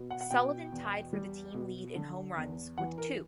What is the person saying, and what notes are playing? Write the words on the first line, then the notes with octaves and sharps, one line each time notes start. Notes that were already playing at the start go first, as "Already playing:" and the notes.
Sullivan tied for the team lead in home runs with two.
Already playing: B2
F#5
F#5
B2 G5
E2
G3
B2
D3
E2
E3 F#5
A#4